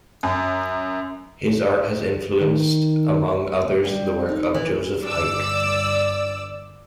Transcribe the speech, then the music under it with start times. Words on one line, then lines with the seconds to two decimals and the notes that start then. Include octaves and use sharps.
His art has influenced among others the works of Joseph Heicke.
0.23 F#2
2.40 D#3
3.85 G3
4.29 D#4
4.54 E3
5.02 G1 D5 D6 E6